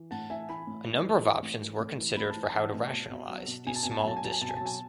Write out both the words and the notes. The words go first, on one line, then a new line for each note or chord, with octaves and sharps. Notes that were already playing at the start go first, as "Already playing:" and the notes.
A number of options were considered for how to rationalise these small districts.
Already playing: E3
A2 F#5 A5
E3 E5 G#5
E3 G#5 B5
A2
E3
E3
E3
A2
E3
A2
E3
A2 B5
A5
E3
G#5
E3 F#5 A5
A2
B2
B2
F#3
B2
B2 G#5
A5
B2 G#5
A5
G#5
F#3 A5
G#5
F#3 A5
G#5
B2 A5
G#5
A5
F#3 G#5